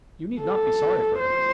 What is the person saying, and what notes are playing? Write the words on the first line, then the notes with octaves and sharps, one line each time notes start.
You need not be sorry for her.
A4
C5